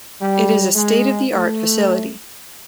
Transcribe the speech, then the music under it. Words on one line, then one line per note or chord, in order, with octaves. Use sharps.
It is a state-of-the-art facility.
G3
G#3
A3